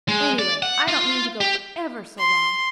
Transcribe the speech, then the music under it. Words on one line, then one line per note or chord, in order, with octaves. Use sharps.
Anyway, I don't mean to go for ever so long.
G#3
D5
F#5
F4
G4
C6